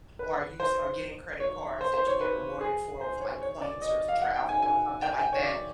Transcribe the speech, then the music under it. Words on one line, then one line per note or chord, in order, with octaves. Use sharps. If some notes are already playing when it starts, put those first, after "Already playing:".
or use or getting credit cards that you get rewarded for with, like, points or travel or something like that.
B4
C5
C#5
C5
C5
C#5
B4
G#4
C5
C#5
C#5
D5
D#5
F5
F#5
G5
G#5
G#5
G5
G#5
G5
C#5
D5